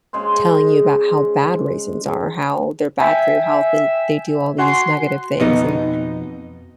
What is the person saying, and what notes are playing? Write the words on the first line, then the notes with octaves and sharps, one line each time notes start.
telling you about how bad raisins are, how they're bad for your health, and they do all these negative things, and
C#3 G#3 C5
E5 G5 G#5
F#4 F#5 G#5 C6
F2 B2 B3 D#4 D#5